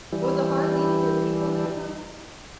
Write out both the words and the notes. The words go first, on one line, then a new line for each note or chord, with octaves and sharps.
Was it hard leaving your people there, though?
E3 G3